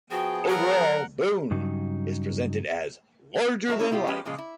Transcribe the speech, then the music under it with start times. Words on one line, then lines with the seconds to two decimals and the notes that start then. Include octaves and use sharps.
Overall, Boone is presented as larger-than-life.
0.11 F3 B3 F#4 G#4 G5
0.49 F#3 A#4 F#5
1.51 G2 C#3 F#3 D#4
3.68 A2 F#3 A#3 A#4 E5
3.79 A3 C#4 E4 G#4 C#5
3.91 B2 E4 F4 G4
4.07 F3 G#3 C#4 G4 B4
4.25 A#2 C#3 F3 G#3
4.38 E4